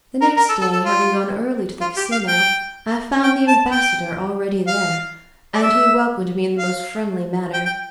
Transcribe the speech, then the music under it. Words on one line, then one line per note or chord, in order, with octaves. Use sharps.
The next day, having gone early to the casino, I found the ambassador already there, and he welcomed me in the most friendly manner.
A#4
A#4
A4
A4
A4
F4
F4
G4
F5
G5
G5
A5
G5
F5
D5
E5
F5
G5
G5